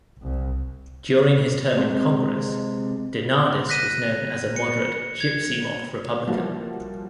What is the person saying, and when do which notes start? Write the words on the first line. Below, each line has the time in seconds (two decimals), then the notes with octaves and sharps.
During his term in Congress DeNardis was known as a moderate "Gypsy Moth" Republican.
0.23 C2
1.77 C3 G#3
3.69 F#6 A#6 B6 D#7
4.56 C#7
5.21 G#6
6.27 E3 F3 G3 A#3 C#4 F#4